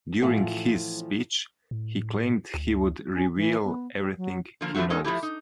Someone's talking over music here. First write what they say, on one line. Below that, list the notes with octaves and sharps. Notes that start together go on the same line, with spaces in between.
During his speech, he claimed he would "reveal everything he knows".
A2 E3 F3 F4 F#5
A2
D2
C#4
E3
B3
G4
F#3
D3 F3 A#3
E3 F3 A3 C4 F#4
G#3 C#4 D#4 A4 A#4
F3 G#3 A3 E4 G4
D#4